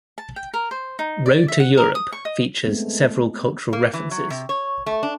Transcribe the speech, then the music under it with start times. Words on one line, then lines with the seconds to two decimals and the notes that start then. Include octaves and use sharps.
"Road to Europe" features several cultural references.
0.18 A5
0.36 G5
0.54 A#4
0.71 C5
0.99 D#4
1.26 D5
1.48 E5
1.60 F#5
1.78 A#4
1.95 D#6
2.12 C#6
2.25 D#5
2.66 G#3 A3 B3 C4
3.73 A#3
3.93 E3
4.11 F#3
4.30 C3
4.49 C#5
4.86 A3
5.03 D4